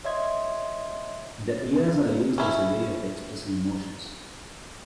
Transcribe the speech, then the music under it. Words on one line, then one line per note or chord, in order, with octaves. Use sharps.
The ears are used as a way of expressing emotions.
C#5 D#5 E5 C6 G#6
C#4 E4